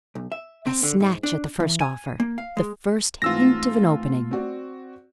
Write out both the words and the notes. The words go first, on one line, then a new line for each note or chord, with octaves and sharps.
I snatch at the first offer, the first hint of an opening.'
B1
E5
C4
D3
G#2
D4
E3
G#5
A#3
F5
G#3
G#2 E3 A3 C4 F4 E6 A#6
C4 F#4 D5